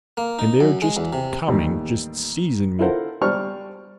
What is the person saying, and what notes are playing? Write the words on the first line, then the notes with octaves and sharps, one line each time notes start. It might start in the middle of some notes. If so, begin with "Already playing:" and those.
And they are just coming, just seizing me.
A#3
D#4
F#2
G#3
E2
C3
A1 D#2 G3
E4 F4 A4 A#4 C5 F#5
G3 C5 D5 A5 C#6 F6